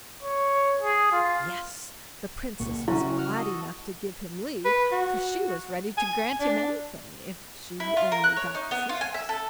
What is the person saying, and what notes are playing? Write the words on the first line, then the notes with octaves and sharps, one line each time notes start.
Yes! the Princess was glad enough to give him leave, for she was ready to grant him anything if she only got the scissors.
C#5
G#4
F4
C#2 A#2 A#3 C#6
C#3 F#3 A3 C#4 E4 F#4
F#4 F#5 F6
F#4 A4 D#5
B4
F#4
G#5
D4
E4
F4
A#4
F#6
C#5
D#4
B3
F4
G#5
E5
A4